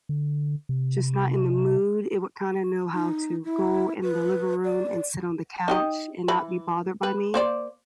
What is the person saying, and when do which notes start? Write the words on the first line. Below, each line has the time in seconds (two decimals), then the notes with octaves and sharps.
just not in the mood it would, kinda know how to go in the living room and sit on the couch, and not be bothered by me,
0.09 D3
0.69 C3
2.94 D#4
3.45 E4
4.03 B4
4.64 D5
5.68 D#4 G4 D#5
6.28 E3 B5
7.03 B4
7.34 A#3 C5 D5